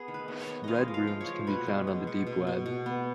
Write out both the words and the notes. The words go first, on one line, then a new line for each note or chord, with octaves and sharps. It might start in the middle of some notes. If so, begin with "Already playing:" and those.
Red Rooms can be found on the deep web.
Already playing: B3 G#4
D#3
B4
B3
C#5
B3
G#3 D#5 F5
F3
F5
F4
C#5
F3
B2 B4
G#3
B2
B2
B2
B2
B2
B3